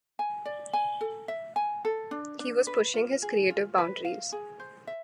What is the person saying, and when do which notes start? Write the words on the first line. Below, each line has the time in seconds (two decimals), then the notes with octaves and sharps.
He was pushing his creative boundaries.
0.19 G#5
0.45 D5
0.73 G#5
1.01 A4
1.28 E5
1.56 G#5
1.85 A4
2.11 D4
2.40 D4
2.67 B4
2.94 F4
3.22 G#4
3.50 F4
3.78 B4
4.05 F5
4.32 G#4
4.60 C5
4.87 E5